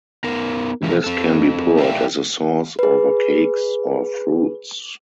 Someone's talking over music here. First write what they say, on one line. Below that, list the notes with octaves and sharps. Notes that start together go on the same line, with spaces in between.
This can be poured as a sauce over cakes or fruits.
B3 D#4 A#4
E3 F3 G4 A#4
C4 A4
G4 D5 E5 F5 G5
G#4 B4